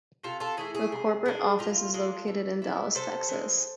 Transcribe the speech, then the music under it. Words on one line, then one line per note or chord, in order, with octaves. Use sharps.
The corporate office is located in Dallas, Texas.
C3 F4 A4
F4 A4
E3 A3 E4 G#4
G#4
C3
G#3 D4
A2 F4
G#3 D4 F4
E3
B3 E4
C3 A4 C5
E3 G#3